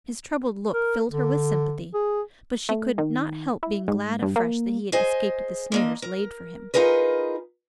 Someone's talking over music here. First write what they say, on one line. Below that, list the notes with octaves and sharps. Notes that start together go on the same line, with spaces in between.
His troubled look filled her with sympathy, but she could not help being glad afresh that he had escaped the snares laid for him.
A#4
D3
G#4
A3
D#3
E4
G#2
G2
A#3
G#4 C5 D#5 G#5
D3 A#3 D#5
A#4
D#4 F4 G#4 A#4 B4